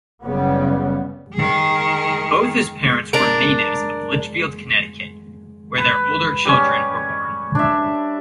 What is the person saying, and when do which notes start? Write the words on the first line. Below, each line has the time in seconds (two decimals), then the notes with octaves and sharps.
Both his parents were natives of Litchfield, Connecticut, where their older children were born.
0.23 F#1 C#3 G3 B3
1.34 D#3 G#4
3.13 D4 A#4
5.78 B4
6.45 G3 C#4
7.55 D4 E5